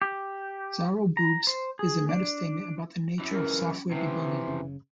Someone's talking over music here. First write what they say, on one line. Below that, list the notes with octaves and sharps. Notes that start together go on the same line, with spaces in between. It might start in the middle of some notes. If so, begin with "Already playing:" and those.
"Zarro Boogs" is a meta-statement about the nature of software debugging.
G4
A#5
C5
G#4
D4
F#2 E3
C#4 A#4
C3 E3 F3
F#1 C#3